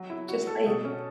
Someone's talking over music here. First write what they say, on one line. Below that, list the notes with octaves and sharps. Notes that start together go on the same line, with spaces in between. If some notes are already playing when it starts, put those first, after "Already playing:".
just saying
Already playing: F#3
E4
F#4
A4
B2
C#4